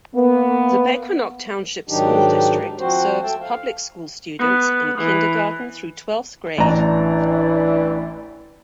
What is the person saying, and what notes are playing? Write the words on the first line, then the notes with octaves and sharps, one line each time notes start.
The Pequannock Township School District serves public school students in kindergarten through twelfth grade.
A#3 B3
G#2 D#3 F#3 D4 D#4 G4
F3 C4 F#4 C5
A4 E5 G5 A5
F5
B3
E3
A1 E3 D4 D5 A#5